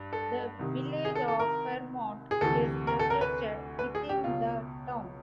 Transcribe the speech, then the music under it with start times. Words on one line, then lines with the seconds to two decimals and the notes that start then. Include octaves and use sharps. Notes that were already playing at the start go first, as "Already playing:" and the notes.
The village of Fremont is located within the town.
Already playing: G2
0.13 A4
0.59 C2 C3 D#3
1.05 G#4
1.15 A4
1.28 A4
1.40 A#4
2.31 G#4
2.41 D2 C3 E3 A4
2.87 A#4
2.99 A4
3.10 A#4
3.21 B4
3.79 B4
3.95 G#4
4.09 G4
4.24 C#2 B2 F4